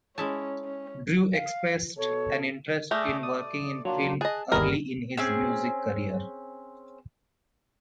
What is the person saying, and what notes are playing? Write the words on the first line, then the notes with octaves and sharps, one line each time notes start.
Drew expressed an interest in working in film early in his music career.
G#3 C#4 E4 A5
C#4
F5
B2 A4 C#5
A3 G#4 D5 E5 F6 G6 A#6
D5 D#6
F#3 A#3 D4 F4
G#4 D#5 A5 F#6
G1 D#2 G3 E4 G#4 A#4
C4 C#4 G#4